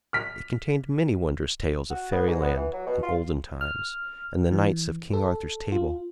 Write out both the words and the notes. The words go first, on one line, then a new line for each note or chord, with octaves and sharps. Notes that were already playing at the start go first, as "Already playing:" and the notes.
It contained many wondrous tales of Fairy Land, and olden times, and the Knights of King Arthur's table.
F6 B6
F#4
B3
G#2
B3
E3
F#3
B2
F4
F6
E3
A4
F4